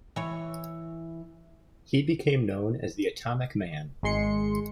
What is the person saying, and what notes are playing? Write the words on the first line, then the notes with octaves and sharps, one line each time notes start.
He became known as the 'Atomic Man'.
E3 C#5
G#1 G#3 C6 C#7